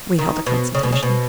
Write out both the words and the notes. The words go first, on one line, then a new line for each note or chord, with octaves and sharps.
We held a consultation.
D#3
B2
C#3
B2
C#3
B2